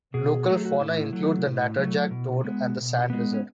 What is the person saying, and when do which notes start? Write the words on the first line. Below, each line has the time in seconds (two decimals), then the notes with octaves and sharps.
Local fauna include the Natterjack toad and the Sand lizard.
0.14 B2 G#4
0.47 F#3 A3 F#4
0.56 G#4
0.65 F#4
0.80 A2 E4
1.13 F#3 A3
1.45 A2
1.78 F#3 A3
2.11 B2
2.44 G#3 B3
2.77 B2
3.10 G#3 B3
3.34 C#4